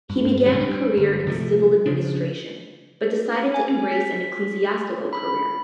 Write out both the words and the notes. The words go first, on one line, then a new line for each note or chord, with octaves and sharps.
He began a career in civil administration, but decided to embrace an ecclesiastical career.
G2
C#2 A2 G3 C4
G3
G1
C3 F3 G3 A3
C#3 F3 D4
G#5
B6
B5